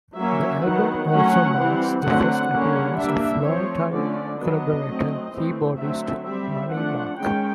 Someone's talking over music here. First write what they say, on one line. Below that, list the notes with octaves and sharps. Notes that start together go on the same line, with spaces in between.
The album also marks the first appearance of longtime collaborator keyboardist Money Mark.
F#3 A#3 C#4 E5
D#3 F#3 B3 F#5
F#3 A3 C#4 F#5
E3 G3 C4
D3 F#3 A3 C4 F#5
D3 G3 A#3 C#4 F#5
G3 A#3 D4 E5
F3 A3 C4 C#5
D3 F3 A3 C#4 D5
F#3 B3 D4 D#5
F#3 A3 C4
E3 A3 C4
D3 F#3 A3 C4 E5
G3 C4 E5
F3 A3 D4 F#5
D#3 G#3 C#4 G5